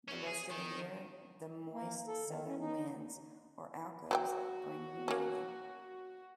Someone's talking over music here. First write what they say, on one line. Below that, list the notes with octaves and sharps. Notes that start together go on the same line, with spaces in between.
The rest of the year, the moist southern winds, or alcos, bring humidity.
C#4 F#4
G#4
D#3
A#3
A4
D#3
C#4
D#4
F#3 F#4 B4 G5
A#3 C#4